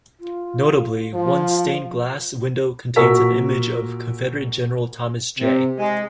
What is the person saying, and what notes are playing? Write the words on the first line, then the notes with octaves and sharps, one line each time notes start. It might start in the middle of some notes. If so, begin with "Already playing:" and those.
Notably, one stained glass window contains an image of Confederate General Thomas J.
F4
F3 F4
A#2 F#4 A#4 C#6 E6 B6
C3
G#3